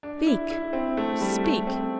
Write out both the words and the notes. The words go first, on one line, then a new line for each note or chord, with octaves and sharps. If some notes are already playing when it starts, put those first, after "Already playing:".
Speak, speak!
D4
E4
E4
C4
A3
G3
A3
C4